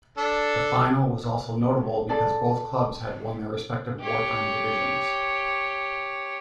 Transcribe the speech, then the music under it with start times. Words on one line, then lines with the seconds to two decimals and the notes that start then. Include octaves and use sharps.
The final was also notable because both clubs had won their respective wartime divisions.
0.17 D4 A4
2.09 G#4 A4 D5
4.00 G4 C#5